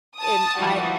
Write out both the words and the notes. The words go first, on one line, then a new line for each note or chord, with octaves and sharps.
and I
A5 D#6
E3 F3 G3 F#4